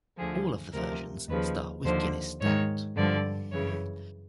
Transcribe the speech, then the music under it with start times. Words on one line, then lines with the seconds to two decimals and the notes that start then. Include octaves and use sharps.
All of the versions start with Guinness Stout.
0.18 D2 D3 F3 G#4
0.73 D2 C3 F3 A#4
1.29 D#2 C#3 F3 B4
1.84 D#2 D3 F3 C5
2.41 G#2 D#3 C#5
2.96 G2 D3 F3 D5
3.51 F#2 C#3 E3 C#5